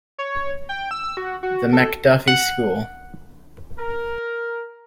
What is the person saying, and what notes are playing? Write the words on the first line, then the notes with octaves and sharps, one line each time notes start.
The MacDuffie School.
C#5
G5
E6
F#4
F#4
A4
F#5
A#4